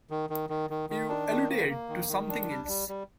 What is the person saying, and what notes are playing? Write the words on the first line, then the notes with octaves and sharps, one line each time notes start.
You alluded to something else.
D#3
D#3
D#3
D#3
D#3
D4
D#3
A#3
A#3
D#3
D#3
D4
G3
G3
G3